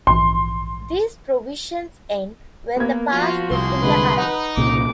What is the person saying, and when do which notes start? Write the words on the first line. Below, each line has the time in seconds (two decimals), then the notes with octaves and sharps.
These provisions end when the pass is in the air.
0.07 A#1 G#2 E3 C6
2.76 A#3 B3 G#6
3.11 F3 F4 F#4
3.51 C2 A#3 G#4 C6
3.83 D3 G#3 B4
4.17 D#4 F#5
4.57 C2 A#2 C#3 D6